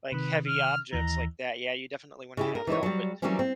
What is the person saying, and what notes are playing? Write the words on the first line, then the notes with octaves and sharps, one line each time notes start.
like, heavy objects like that, yeah, you definitely wanna have help. But,
C3 D#3 B4
F6
D#2 E3 A#5
C#3 E4 G4
A#4
E3 D#4 A#4 C#5
F#3 G3
E3 F#3 G3 A#3 C4 C#4
C4